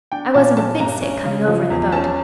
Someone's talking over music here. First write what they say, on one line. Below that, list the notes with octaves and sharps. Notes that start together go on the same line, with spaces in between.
I wasn't a bit sick coming over in the boat.
D4 G5
A#2 A5
C#4 A5
G2 A#5
C#4
C#3
F3
E2
C#4 A5